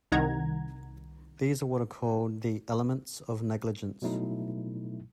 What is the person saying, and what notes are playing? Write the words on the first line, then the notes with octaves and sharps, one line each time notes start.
These are what are called the "elements" of negligence.
C2 D#3 F#5 A#5 G#6
B2 F#3 A3 D#4 E4